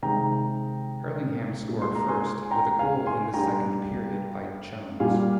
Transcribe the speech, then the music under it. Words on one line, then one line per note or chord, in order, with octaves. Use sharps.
Hurlingham scored first, with a goal in the second period by Jones.
C3 D#3 G#3 G5 A#5
A#2 G#3
C6
A#5
G#5 C6
G5 A#5
F5 G#5
G#5 C6
G2 G3 G5 A#5
A#2 G3 F5 G#5